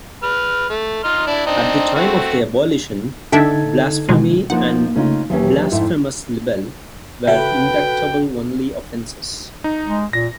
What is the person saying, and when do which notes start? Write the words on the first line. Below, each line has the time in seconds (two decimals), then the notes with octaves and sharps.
At the time of their abolition, blasphemy and blasphemous libel were indictable-only offences.
0.23 B4 F6
0.70 A3
1.04 D#4 C6 F6
1.27 D4 E4
1.46 C4 D4 D#4
1.95 A3 C4 F#4
3.32 D3 D4 D#4 A4 E5 G5 G#6
4.09 B2 D#3 G#3
4.50 F3 A#3 D#4 F#5
4.96 C#3 A3 C#4 D#4 F4
5.30 D#2 E3 F#3 C#4 G4
5.72 F2 G#2 A3 E4
7.27 C#3 F#4 A4 B4 E5 G5
9.64 D#4
9.87 G#3
10.13 A#2 A#6